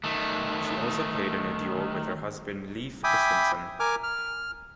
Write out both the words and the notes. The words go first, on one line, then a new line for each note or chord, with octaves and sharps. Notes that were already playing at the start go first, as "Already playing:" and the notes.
She also played in a duo with her husband Leif Christensen.
D#3 A3
E5 G5 G#5 B5 D6 D#6
A#4 G#5 D6 F6
F6